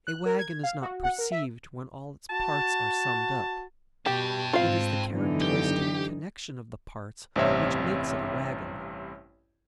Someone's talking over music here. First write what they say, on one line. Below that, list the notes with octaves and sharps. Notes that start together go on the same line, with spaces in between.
A wagon is not perceived when all its parts are summed up; it is the characteristic connection of the parts which makes it a wagon.
F#6
A#4
G#6
F5
F#4
F#5
A#4
E5
F#4 A5
B2 G4 G5 A5
G#2 C4 F4 F5
F#2 D3 E3 B3 D#4
G4
A1 G2 C3 C4 C#5 E5